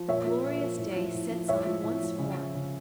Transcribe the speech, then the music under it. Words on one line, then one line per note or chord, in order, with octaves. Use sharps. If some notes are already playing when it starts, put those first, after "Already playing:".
The glorious day sets on once more.
Already playing: F3
A#2 C#5 E5
F3
A#2
F3
A2
F3
A2
F3
A2 C#5 E5
F3
A2
F3
C#3
F3
C#3